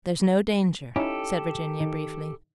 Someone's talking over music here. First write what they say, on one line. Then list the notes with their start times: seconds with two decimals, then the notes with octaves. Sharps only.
"There's no danger," said Virginia briefly.
0.96 C#4 D#4 E4 G4 A4
1.80 D#3